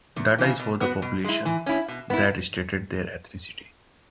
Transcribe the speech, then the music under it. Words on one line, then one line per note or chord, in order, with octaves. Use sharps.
Data is for the population that stated their ethnicity.
E2
C#3 E3
B2
B3 F#4
B2
G#3 E4
E3
C#4 E4
B2
B3 E4